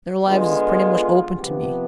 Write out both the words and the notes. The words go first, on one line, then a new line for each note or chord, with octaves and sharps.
Their lives is pretty much open to me.
D3 G#3 B3 F4
C3 F3 B3 G4